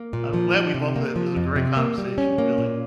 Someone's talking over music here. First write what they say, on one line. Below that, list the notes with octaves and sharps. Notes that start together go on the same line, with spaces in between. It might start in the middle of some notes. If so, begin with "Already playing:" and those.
I'm glad we both it was a great conversation, really.
Already playing: A#3
A#2
F3
D#4
C3
A#3
F3
F2
C3
A#3
G3
C#4
A#3
A#2